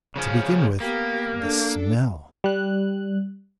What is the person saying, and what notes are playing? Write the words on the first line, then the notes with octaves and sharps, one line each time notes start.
To begin with the smell.
C#3 F3 C#4
A#3 B3 G4
D4 A4
G3 F#6